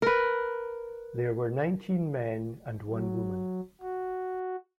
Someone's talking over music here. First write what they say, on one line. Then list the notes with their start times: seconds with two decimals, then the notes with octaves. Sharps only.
There were nineteen men and one woman.
0.02 A#4 B4
2.90 F#3
3.81 F#4